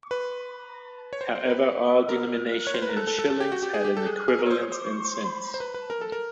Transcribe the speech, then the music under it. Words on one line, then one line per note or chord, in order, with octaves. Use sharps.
However, all denomination in shillings had an equivalence in cents.
B4
C#5
C5
C5
A#4
B4
A#4
C#5
C5
B4
A#4
A4
A4
A4
A4
G4
F#4
G4
G#4
G4
A4
G#4
G#4
A#4
C#5
C5
C#5
C5
C5
B4
B4
A#4
A4
A#4